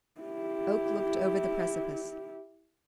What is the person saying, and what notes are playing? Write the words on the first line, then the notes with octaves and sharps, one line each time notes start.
Oak looked over the precipice.
E4 G4